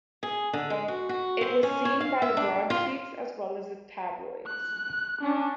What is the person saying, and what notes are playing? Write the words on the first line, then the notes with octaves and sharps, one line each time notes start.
It was seen by the broadsheets as well as the tabloids.
G#4
D3
G#3
F#4
F#4
C4
C#4
C#5
F5
E5
D4
F4
F#6
C#4 D4